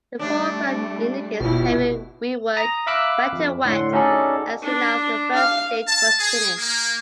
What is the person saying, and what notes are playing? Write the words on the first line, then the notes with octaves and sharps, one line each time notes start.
The foreground indicates heavy rework, wet-in-wet, as soon as the first state was finished.
G3 A3 D4
F#1 B2 E4 F4 G4
A#5 D#6 A#6
E5 F5 B5 D6 E6 F#6
F2
A2 D3 F#5 C6
C#4 D#4 F#4 G#4 A4 D5
D4
F5
A5
G#4
A#3